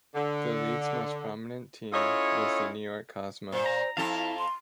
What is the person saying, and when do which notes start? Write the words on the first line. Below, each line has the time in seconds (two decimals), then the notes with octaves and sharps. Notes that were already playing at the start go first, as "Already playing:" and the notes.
The league's most prominent team was the New York Cosmos.
0.15 D3
1.93 C#4 E4 F4 A4 C#5 D#5
3.52 A#2 C5
3.66 A#5
3.97 F2 F3 E4 A4 F5 A5 A#5
4.38 C6